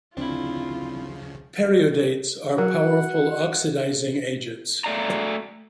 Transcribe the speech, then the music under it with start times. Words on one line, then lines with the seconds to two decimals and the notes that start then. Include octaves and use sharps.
Periodates are powerful oxidising agents.
0.17 D2 C#3 F3 C4 D4 E4 F4
2.58 F#3 A#4 F#5
4.84 A3 D5 A#5